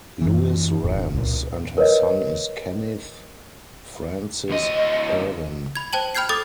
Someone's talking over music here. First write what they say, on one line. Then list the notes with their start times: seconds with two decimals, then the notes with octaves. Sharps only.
Louis Rams, and her son is Kenneth Francis Irwin.
0.21 F#2 E3
0.82 E1 D#2 A2
1.14 C#2 A#2
1.78 A#4 B4 C#5 D#5
4.50 D2 D#5
5.75 B5 G#6
5.93 C5 G5 A5 F#7
6.15 G5 B5 F6 G6 G#6 C7
6.29 A4 D6 D#6 A6